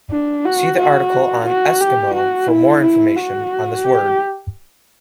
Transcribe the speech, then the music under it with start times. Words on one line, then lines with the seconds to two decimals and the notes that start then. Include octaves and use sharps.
See the article on "Eskimo" for more information on this word.
0.11 D4
0.45 F#4
0.78 F#4
1.46 F#4
1.81 G4
2.14 F#4
2.48 E4
2.81 E4
3.16 F#4
3.84 G4